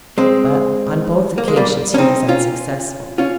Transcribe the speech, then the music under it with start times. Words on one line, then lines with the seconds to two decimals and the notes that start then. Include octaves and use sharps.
But on both occasions he was unsuccessful.
0.18 G#3 C4
1.38 A#3
1.48 G#3
1.56 G3 A#3
1.94 C#4
1.98 C4 D#4
2.28 C#4 F4
3.18 C#4 F4